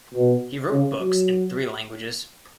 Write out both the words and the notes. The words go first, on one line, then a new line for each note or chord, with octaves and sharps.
He wrote books in three languages.
B2
C#3
F#3